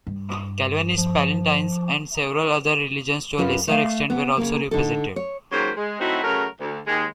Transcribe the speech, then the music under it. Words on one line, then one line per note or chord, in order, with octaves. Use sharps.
Calvanist Palatines and several other religions to a lesser extent were also represented.
G2
F3
F#2 C#4 F4 B4
A3 E5 F5
B3
C#3 A#3
D3 D#4 A4
C#5
G#2 C#3 F#3 A#3 G4 C5
G#3
F#3 A3 C4 D#4 E4 F#4
C#3 F#3 A3 A#4
D2
D#2 G#3